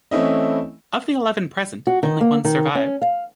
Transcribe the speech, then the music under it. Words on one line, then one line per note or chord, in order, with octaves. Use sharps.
Of the eleven present, only one survived.
E3 A3 C4 C#4 E4 D#5
F#4
D#3
A#3
D#3
C#4
F5